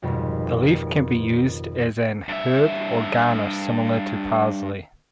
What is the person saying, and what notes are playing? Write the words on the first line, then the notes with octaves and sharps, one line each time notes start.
The leaf can be used as an herb or garnish similar to parsley.
G#1 F2 B2 G3
G2 E5